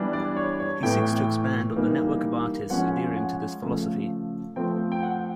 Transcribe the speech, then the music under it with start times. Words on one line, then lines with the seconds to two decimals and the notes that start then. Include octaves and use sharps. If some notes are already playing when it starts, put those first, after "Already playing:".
He seeks to expand on the network of artists adhering to this philosophy.
Already playing: E3 G3 B3 D4
0.13 D5
0.37 C#5
0.60 C#5
0.83 A2 E3 A3 G5
1.76 E3 G3 A#3 D#4
2.70 F3 G#3 C#4 F#5
3.17 F#5
3.63 C#3 F3 A3
4.56 F3 A3 C4 G5
4.92 G5
5.03 F#5